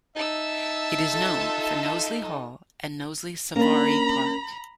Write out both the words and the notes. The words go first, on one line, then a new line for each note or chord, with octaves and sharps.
It is known for Knowsley Hall and Knowsley Safari Park.
D#4 E5 A5 E6
F4 A4
A#3 C#4 D4 A#4 A#5 B5